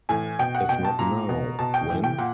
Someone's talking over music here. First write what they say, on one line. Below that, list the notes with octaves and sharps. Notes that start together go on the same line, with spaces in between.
If not now, when?
A2 E3 G#5
B2 G5
F#5
B2 G5
A5
A#2 A#5
B2
B2 A5
G5
A2 E3
G5
A#2 F#5